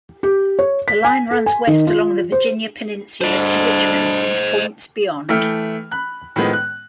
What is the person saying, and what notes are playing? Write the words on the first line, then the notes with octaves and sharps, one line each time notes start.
The line runs west along the Virginia Peninsula to Richmond and points beyond.
G4
C#5
B6
G#5
A4
G#5
D#3
F4
C5
D2 G3 D4 C5 D#5
E3 A3 E5 G5 F6
B5 F#6
A2 D#3 F3 G#3 B3
F#6